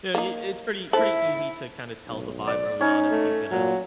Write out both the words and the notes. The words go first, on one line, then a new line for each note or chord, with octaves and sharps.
eh i it's pretty pretty easy to kinda tell the vibe early on if he's gonna
A#3 D#4
E4 A4 C5 E5
B1
D5
C#4 D#4
A3
A#2 F#3